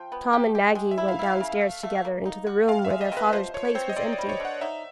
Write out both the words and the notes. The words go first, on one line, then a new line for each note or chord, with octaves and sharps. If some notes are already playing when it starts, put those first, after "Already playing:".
Tom and Maggie went downstairs together into the room where their father's place was empty.
Already playing: F3 G5
B3
G4
G4
G#3
E5
E4
F5
E4 F5
C#3
A3
A3
A#3
D#4
F#4
C3 F5
F5
E5
G#3
D#5
C3
B4
F3 C5
F3 C#5
C#5
C4 C5
D#5
C4 D5
D5
G3
C#5
D3
F#5
D#4 E5